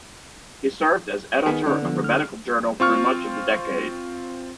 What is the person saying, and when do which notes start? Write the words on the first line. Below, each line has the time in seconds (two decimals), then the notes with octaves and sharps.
He served as editor of a medical journal through much of the decade.
1.46 D#3 B3 D#4 G#4
1.66 D3 C#4 D#4
1.82 F3 B3
2.04 F6
2.80 C4 F4 C#6 F6